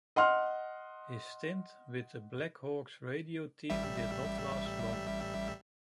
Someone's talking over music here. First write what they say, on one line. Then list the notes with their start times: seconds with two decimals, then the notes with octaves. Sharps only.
His stint with the Blackhawks radio team did not last long.
0.16 D#5 F#5 C6 F6
3.70 A1 G3 E5